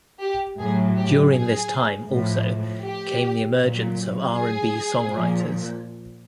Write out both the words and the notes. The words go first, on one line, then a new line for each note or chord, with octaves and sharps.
During this time also came the emergence of R and B songwriters.
G4
A2 F#3 G#4
G4
G#4
A2 F3
G4
A#2 F#3
G#4
A#2 F3